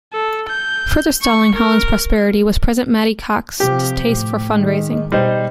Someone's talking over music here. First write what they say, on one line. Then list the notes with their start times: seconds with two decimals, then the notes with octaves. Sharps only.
Further stalling Hollins' prosperity was President Matty Cocke's distaste for fundraising.
0.13 A4
0.49 G6
1.22 C#6
1.54 A#4
3.60 C3 F3 G4
4.11 A2
4.54 D#3 G#3
5.12 B2 G3 D#4 C5